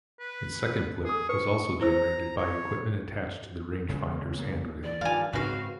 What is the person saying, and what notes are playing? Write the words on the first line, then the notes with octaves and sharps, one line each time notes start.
A second blip was also generated by equipment attached to the rangefinder's handwheel.
B4
G#4 A4 D#6
B4 C#6
E4 C5 A#5 E6
C#5
D2 C#3 G#3
A#3
E3 D5
G2 D#3 F3 F5 G#5
G#2 C#3 C4 D#4 F#4 B4 F5